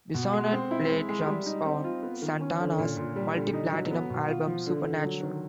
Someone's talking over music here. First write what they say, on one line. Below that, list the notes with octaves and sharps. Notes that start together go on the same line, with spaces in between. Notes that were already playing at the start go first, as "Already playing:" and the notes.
Bissonette played drums on Santana's multi-platinum album "Supernatural".
B2
G#3
C4
E4
G#3
G#3
G3
D#4
C4
F4
B3
D#3
C#4
D3
A#2
A#2
G3
D3
D#4
F#3
B3
B2
F4
F3
D3
D3
F#3
D#3